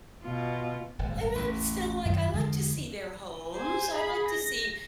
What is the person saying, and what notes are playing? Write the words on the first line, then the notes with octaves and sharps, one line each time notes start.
I'm not still like, I like to see their homes. I like to see
B2 F4
D#1 G#1
A1 E2
F#2 D#3
E2 D3 F3 G#3
C5 G#5
G#4 B5
A#6